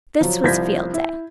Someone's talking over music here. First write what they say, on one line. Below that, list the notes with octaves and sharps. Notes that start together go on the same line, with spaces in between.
This was Field Day.
F3 F#3
C2 F3 G6 G#6 A#6 B6
E4